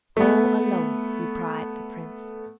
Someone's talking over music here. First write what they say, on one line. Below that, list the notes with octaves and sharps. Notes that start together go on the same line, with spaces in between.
"Go alone," replied the prince.
A3 B3